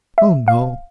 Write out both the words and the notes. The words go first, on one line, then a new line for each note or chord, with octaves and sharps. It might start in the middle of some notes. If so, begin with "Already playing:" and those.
"Oh no."
E5
F5